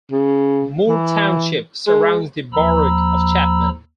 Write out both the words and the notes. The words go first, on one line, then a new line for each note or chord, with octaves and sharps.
Moore Township surrounds the borough of Chapman.
C#3
E3
G#3
D#2 F3 A#5 B5 E6